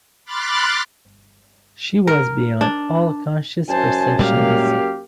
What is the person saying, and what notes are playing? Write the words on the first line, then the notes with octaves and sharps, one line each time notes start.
She was beyond all conscious perceptions.
B5 C6 D6 F6 F#6 A6
A#4
D4
F#2 C5 G#5 A5
A#2 G3 G#3 A#3 G4 F5